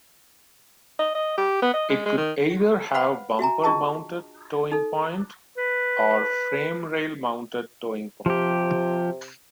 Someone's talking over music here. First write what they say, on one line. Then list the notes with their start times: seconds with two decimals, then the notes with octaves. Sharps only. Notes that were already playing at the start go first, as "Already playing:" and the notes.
It could either have bumper mounted towing point or frame rail mounted towing point.
0.99 D#5
1.15 D#5
1.37 G4
1.62 B3
1.74 D#5
1.89 G#3
2.06 G#3
2.17 D#3
2.94 B4 C5 F5 F#5 B5
3.39 F#4 E5 G#5 A#5
3.64 D4 F4 G#4 D#5 G5 A5
4.72 D#4 A4
5.57 B4
8.26 C3 F3 G4